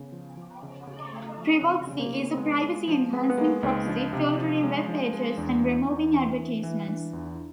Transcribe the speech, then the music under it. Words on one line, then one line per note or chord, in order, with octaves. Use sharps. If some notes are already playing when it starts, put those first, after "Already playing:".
Privoxy is a "privacy enhancing proxy", filtering web pages and removing advertisements.
Already playing: C#3 B3
F3
F3
C#3
C#3
A3
F3
C#4
C#3 C4
C#3
A#3
C#3
C4
G#3 B3
G#3
F3
G#3 B3
C4
B3
G#3 A#3
C#2 D#4
F3 D4
C3
F3
G#3 C#4
F3
G#3
E2 D4
E3
E2
E3
E3
E3
E3 D4
E2 F4
E4